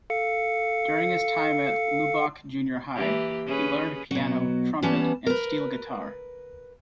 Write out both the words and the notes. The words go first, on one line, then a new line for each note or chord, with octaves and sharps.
During his time at Lubbock Junior High, he learned piano, trumpet and steel guitar.
A4 F5 C#7
E3 A#3 G4
C#4 G#4 B4
B2 F#3
E3 G3 B3 C#4 A5
A#4 B4